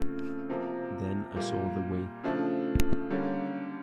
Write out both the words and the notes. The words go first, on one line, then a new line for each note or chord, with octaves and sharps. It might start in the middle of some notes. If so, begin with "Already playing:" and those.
Then I saw the way.
Already playing: C#3 F3 A3 C4
C3 F3 A#3
A#2 G3 A#3
C#3 F3 A3 D4
D3 G3 A#3 C#4